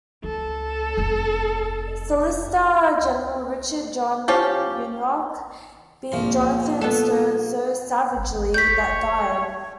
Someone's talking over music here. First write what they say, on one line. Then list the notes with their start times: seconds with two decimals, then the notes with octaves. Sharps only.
Solicitor General Richard John Uniacke beat Jonathan Sterns so "savagely" that died.
0.24 C#2 A4
0.97 F1
4.28 F3 C#4 G4
6.12 A#1 F3 C6
6.81 B3 A4
8.54 C#5 G6 B6